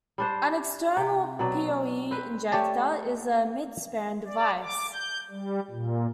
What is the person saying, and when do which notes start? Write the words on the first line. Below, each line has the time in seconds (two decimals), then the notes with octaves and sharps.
An external PoE "injector" is a "midspan" device.
0.18 G3 D4 C5
0.97 C3
1.39 B2 F#3 D5
2.11 C4 B4
2.52 A3 G4 C#5 D5 A5
4.27 D5
4.63 D6
4.93 G6
5.31 G3
5.70 A#2